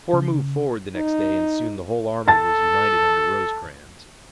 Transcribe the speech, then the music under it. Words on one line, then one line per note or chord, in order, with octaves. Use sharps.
The corps moved forward the next day, and soon the whole army was united under Rosecrans.
C#3
D#4
A4 A5 A6